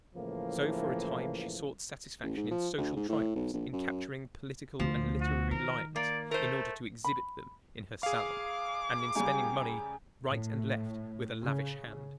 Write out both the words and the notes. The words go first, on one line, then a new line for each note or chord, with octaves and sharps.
So for a time she sought satisfaction in social triumphs, in capturing political and literary lions in order to exhibit them in her salon, and in spending money right and left with a lavish hand.
A2 C#3 E3 F3 A#3
A1
G#2
F3
D2
G#2
A2
B1
A#1
F#2
D2 F3
F#4
D#3 A#4
A#3 D5
A3 A#4 C5
B5
G#4 F5 D6
C#3 G3 G4 G#5 A#5
A2
C#3